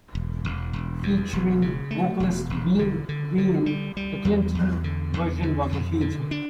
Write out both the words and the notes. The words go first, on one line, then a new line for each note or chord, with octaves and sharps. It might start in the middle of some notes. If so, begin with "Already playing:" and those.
Featuring vocalist Bea Wain, the Clinton version was a huge hit.
E1
E1
E1
E2
E1
C#3
A3
E1
E1
D3
D3
D3
G3
G3
E2
E2
D3
E2
D3
F2
D3
D4